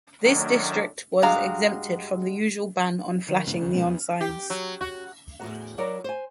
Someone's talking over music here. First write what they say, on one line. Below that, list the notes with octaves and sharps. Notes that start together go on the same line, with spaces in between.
This district was exempted from the usual ban on flashing neon signs.
F#2 A2 D#3 F#3 D4
G2 G#3 F#4 F5 A#5
D#3
C2 A2 D3
D#2 C#3
B2 G#3 B3 C#4
E2
G4
F#3
F#4
E2 A2 F3 A3 F#4 F#5
F#3 E4 F#4 A#4 C#5 D5
C5 G#5